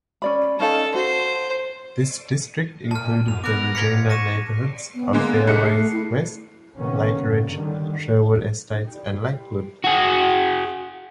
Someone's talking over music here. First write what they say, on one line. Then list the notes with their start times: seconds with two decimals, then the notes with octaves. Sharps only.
This district included the Regina neighbourhoods of Fairways West, Lakeridge, Sherwood Estates and Lakewood.
0.22 C#4 D5 B5
0.60 C#4 D#4 A4 F5
0.95 F#4 C5
2.91 A#2 A5 F6
3.28 F#2 F7
3.44 B3 A#4 D6 F#6
3.75 G#2 G#6 B6 C#7
4.10 C#6 A#6 D#7 E7
4.95 B3
5.13 D3 G#3 A#3
5.47 C2 D#4 G#4 C#7
5.65 A3 C7
5.93 E4
6.77 C3 D#3 A#3 B3 C#4
7.16 G2 C#3
7.53 D3 D#3 G3
9.85 F#4 G#4